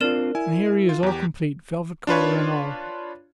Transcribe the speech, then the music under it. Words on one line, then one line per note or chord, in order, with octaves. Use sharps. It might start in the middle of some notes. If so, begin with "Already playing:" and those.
And here he is all complete, velvet collar and all.
C4 D4 F4 A#4 D5 E7
E4 G#5
F4
E2 G4
D4 F4 B4 C#5